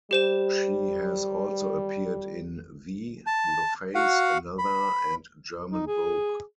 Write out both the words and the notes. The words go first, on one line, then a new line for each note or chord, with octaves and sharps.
She has also appeared in V, The Face, Another, and German Vogue.
G3 G4 C5 E7
A5
F#4 F5 F#5
B5
D#4
G#4